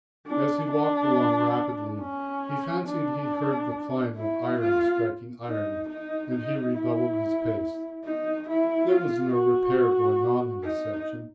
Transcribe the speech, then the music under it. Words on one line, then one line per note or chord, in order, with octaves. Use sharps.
As he walked along rapidly, he fancied he heard the clang of iron striking iron, and he redoubled his pace. There was no repair going on in his section.
D4
D4
C#4
D4
E4
F4
D#4
D#4
D#4
E4
D#4
E4
F4
F#4
D#4